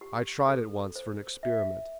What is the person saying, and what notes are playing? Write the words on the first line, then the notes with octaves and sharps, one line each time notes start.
I tried it once for an experiment.
G4
A4
C5
E5